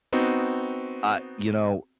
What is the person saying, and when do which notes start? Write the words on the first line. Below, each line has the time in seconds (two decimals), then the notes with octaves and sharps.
Ah, you know,
0.13 B3 C4 D#4 F#4